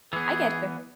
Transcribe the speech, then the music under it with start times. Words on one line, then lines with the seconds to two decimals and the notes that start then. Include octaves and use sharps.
I getcha.
0.13 E3 B3 G#4